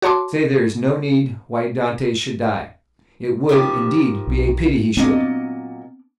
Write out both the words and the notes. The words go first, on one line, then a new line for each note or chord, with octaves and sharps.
Say there is no need why Dantes should die; it would, indeed, be a pity he should.
F#4 C#5 A5 C6 D6
D#3 F3 G4
B1
A#2 F#3 B3 C4 D4 D#5